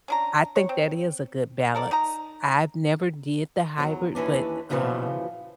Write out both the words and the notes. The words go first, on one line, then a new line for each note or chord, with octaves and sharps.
I think that is a good balance. I've never did the hybrid, but, um,
C#4 D4 A#5
C#5
C4
A4 A#4 D5
D#4 A#5
E2 F#3
D#2 E3 C#4 D4
F#2 A#2 C#3 E3 F3